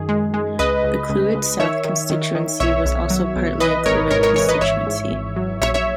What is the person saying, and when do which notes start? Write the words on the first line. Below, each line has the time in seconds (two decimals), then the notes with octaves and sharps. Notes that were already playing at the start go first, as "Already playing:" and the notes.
The Clwyd South constituency was also partly a Clwyd constituency.
Already playing: F#2 D#3 G#4
0.09 G#3
0.34 G#3
0.59 C#2 B4 D#5
0.84 C#2
1.10 C#2
1.35 C#2
1.59 D#3 C#5 E5
1.85 D#3
2.10 D#3
2.35 D#3
2.60 B1 C#5 E5
2.85 B1
3.10 F#3
3.36 B1
3.60 E3 B4 D#5
3.85 G#1 A#4 C#5
4.11 G#2 A#4 C#5
4.23 A#4 C#5
4.36 E3 A#4 C#5
4.49 B4 D#5
4.61 G#1 C#5 E5
4.86 G#2
5.11 G#1
5.36 F#3
5.62 A#1 C#5 E5
5.74 C#5 E5